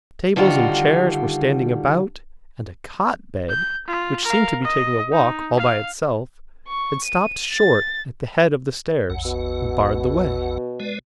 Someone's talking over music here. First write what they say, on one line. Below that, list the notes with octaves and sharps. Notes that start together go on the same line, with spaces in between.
Tables and chairs were standing about; and a cot-bed, which seemed to be taking a walk all by itself, had stopped short at the head of the stairs, and barred the way.
D3 D#3 G3 F4 F#4
G6
F4
A#4 F5
D#5
D#4
F5
C#6
D#7
A6
A1 E2 F#5
B2
G#3 B4 D5